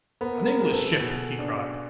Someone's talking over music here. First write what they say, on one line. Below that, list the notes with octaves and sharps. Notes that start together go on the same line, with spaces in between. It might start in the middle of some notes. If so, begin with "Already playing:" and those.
"An English ship!" he cried.
B3 A#4 C5
A#4 C5
G#3
A4 B4
B2 A4
D4